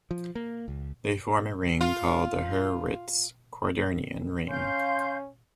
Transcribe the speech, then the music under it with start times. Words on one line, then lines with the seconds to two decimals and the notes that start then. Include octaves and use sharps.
They form a ring called the Hurwitz quaternion ring.
0.11 F3
0.35 A#3
0.68 C#2
1.81 F4
4.48 C#4 F5 C6 G6